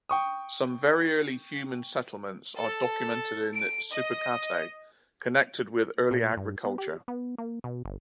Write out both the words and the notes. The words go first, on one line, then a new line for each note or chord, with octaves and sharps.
Some very early human settlements are documented in Sipacate, connected with early agriculture.
G5 C#6 D#6
A4
D7
D#5
A#2
G2
B3
G4
B3
A#3
B2
G1